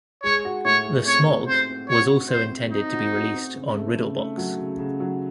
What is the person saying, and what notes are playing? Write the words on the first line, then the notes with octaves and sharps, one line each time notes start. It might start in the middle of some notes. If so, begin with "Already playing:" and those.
"The Smog" was also intended to be released on Riddle Box.
G#3 C#5
F#4
A2 C#5
G#3
C4 C#5
C4
C4 C5
C4
F#4 C#5
F#4
C4 C5
C4
C4 D#4
F#4
F#4
C4
C#3
A3
C#3
A3
F#3
C#3
C#3
F#3